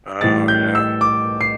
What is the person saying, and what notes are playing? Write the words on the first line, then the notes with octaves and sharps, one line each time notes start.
Oh, yeah.
A2 E3 G3 A6
G6
E6
D6
C7